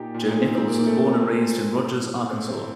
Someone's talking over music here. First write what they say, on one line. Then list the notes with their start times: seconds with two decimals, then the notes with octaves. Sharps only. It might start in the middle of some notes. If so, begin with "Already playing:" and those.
Joe Nichols was born and raised in Rogers, Arkansas.
Already playing: A#2 D#4 G4
0.14 A#2
0.28 D#4
0.41 C4
0.55 C4
0.68 A#2 A#3
0.87 A3
1.04 A#3
1.22 A#2 C4
1.76 A2
2.30 A2 C4
2.48 C4